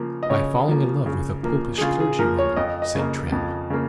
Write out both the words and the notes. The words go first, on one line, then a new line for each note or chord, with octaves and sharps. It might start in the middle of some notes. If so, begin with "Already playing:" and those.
By falling in love with a popish clergy-woman; said Trim.
Already playing: C#3 F3 A#3
D#5
C#3 C#5
F3 A#3
C#3
F3 A#3
G#4
C#3 F4
G#4
F3 A#3 A#4
C#5
F2 D#5
D#5
C#3 A#3
F2
C#3 A#3